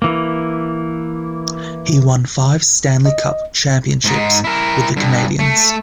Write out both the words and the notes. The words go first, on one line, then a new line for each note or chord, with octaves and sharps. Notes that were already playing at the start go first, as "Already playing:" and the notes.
He won five Stanley Cup championships with the Canadiens.
E3 A#3
D#5
G#2 D#4
E4 A#4
G2 D3
A3